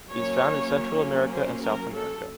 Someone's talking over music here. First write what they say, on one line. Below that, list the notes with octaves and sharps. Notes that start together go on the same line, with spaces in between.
It is found in Central America and South America.
F#3 A#3 C#4 C#5
C5
A#4
A4